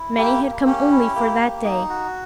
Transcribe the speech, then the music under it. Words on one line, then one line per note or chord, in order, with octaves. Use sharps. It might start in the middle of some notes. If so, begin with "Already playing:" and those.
Many had come only for that day.
Already playing: E4
A#3 G4
A#3
C#4 G4
E4
A#3
A#3
D#4
F#4